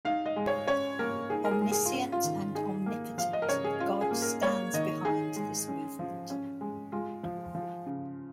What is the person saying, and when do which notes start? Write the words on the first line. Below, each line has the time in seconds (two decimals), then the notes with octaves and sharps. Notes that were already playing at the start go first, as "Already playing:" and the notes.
Omniscient and omnipotent God stands behind this movement.
0.05 D#4 F5
0.26 D#5
0.36 G#3
0.47 C#5
0.68 C#4 C#5
0.99 A#3 A#4
1.30 D#4 G#4
1.45 A#4
1.51 G#4
1.61 G#3
1.71 G#4
1.85 F4
1.93 C#4
2.12 F4
2.24 D#3
2.55 D#4 G#4
2.86 A#3
3.18 F3 F5
3.33 D#5
3.42 A#4
3.49 C#3 C#5
3.64 G#4
3.80 C#4 F4
4.01 G#4
4.11 A#3
4.22 A#4
4.42 A#3 C#5
4.73 D#3 D#5
5.05 D#4 G#4
5.36 G#3
5.68 C#4
5.99 F3
6.30 C#4
6.61 G#3
6.92 G#3 F4
7.23 F3
7.55 F3
7.86 C#3